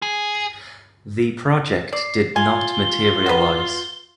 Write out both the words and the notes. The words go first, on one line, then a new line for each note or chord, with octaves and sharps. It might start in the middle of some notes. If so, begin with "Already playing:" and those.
The project did not materialise.
G#4
D5 C7
F4 G#5 G7
F#4 B4